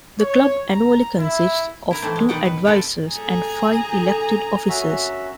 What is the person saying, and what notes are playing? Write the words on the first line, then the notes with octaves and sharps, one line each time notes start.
The club annually consists of two advisers and five elected officers.
C#5
A#5
E4
E4 A#4
E3 F3 A3 C4
G#3
B2 D#3 B4 D5 F#5 G5
B4
C4 F4 A4 B4 D5
A#2 G3 G#4 A4 A#5
D3 G4 C5
F#2 C#4 F#4 E5